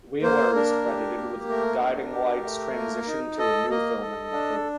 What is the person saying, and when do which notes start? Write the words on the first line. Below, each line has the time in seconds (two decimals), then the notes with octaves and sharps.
Wheeler is credited with Guiding Light's transition to a new filming method.
0.22 A#3 C5
0.54 D4 A#4
0.86 G4
1.17 A#3
1.49 A3 A#4
1.81 D4
2.12 G4
2.44 A3
2.75 A#3
3.07 D#4
3.38 A4 D#5
3.70 A#3 D#5
4.01 A4
4.33 D4